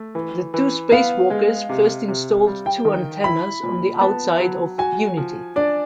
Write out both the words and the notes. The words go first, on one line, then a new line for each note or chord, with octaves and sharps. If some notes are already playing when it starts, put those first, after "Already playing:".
The two spacewalkers first installed two antennas on the outside of "Unity".
Already playing: A3
E3
E3
B3 F5
G#3
C3
C3
G3
G5
D#3
E4 B5
A#2
B3 A5
F#3
F#4 G#5
F3
D4 D5